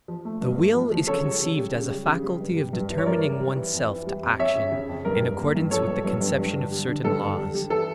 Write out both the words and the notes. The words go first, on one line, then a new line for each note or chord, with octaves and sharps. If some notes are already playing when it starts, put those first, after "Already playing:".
The will is conceived as a faculty of determining oneself to action in accordance with the conception of certain laws.
F3
A3
G2
A3
F3
F3
C#3 A4 C#5
G3
C#3
G3
C#3
G3
C#3
G3
G2
G3
G2
E3
C#5
G2 A#4 D5
G3
G3
E3
F2
E3
G3
F2
F2 C#5 E5
C#3
C#3
F2
G2 A#4
G2
A#3
G2
F3 A4 C#5
G2
G2
G2
G2
D3
G3
D3
G2 A4
D3
G3
G3
E3 A4